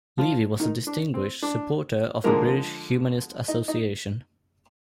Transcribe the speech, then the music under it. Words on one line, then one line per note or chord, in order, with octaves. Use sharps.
Levey was a Distinguished Supporter of the British Humanist Association.
F3 F4
D#3 D#4
D4
C4
D4
D3 F3 G#3 A#3 A#4
D#4 D#5
D#4 D#5